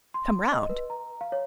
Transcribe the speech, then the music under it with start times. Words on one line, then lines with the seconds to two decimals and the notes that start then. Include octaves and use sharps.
"Come round?"
0.14 C6
0.52 D#5
0.69 B4
0.90 A#5
1.21 F5
1.32 C#5